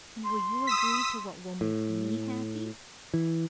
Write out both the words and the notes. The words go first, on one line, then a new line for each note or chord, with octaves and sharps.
"And will you agree to what will make me happy?"
C6
D#6 E6 B6
A2
E3